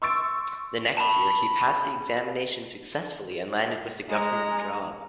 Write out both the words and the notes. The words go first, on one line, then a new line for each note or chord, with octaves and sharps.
The next year he passed the examination successfully and landed with a Government job.
C6 C#6 E6 A6 D7
A5 B5
G#3 A#5